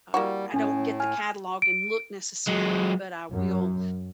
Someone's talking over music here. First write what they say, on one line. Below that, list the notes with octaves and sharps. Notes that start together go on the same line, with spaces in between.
uh, I don't get the catalog and look necessarily, but I will
G3 A#3 E4 F#4
A2 C#4 G#5
G#5 F6
D7
F#3 G#3
F#2